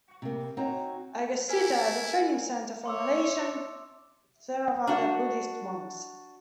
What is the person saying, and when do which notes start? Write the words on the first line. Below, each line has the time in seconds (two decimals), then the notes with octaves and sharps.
Aggacitta as a training centre for Malaysian Theravada Buddhist monks.
0.22 C3 A#3
0.57 C4 D#4 F#4 C#5 A#5
1.50 E4 A#4 G#5
2.86 C#5 E5 C6 D6 E6
4.87 D4 F#4